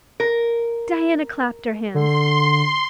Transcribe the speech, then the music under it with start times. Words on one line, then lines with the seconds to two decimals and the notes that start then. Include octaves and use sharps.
Diana clapped her hands.
0.20 A#4
1.94 D3 C6